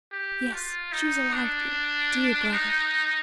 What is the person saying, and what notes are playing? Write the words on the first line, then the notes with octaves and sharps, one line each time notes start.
'Yes, she is alive, dear, dear brother!
G4
F4
D#4
D4
D#4